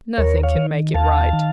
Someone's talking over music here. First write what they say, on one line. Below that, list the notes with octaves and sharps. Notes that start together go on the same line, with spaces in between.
Nothing can make it right.
D#2 A#4 C#5
C#5 F5
D#3
D#2 F5 A5
D#3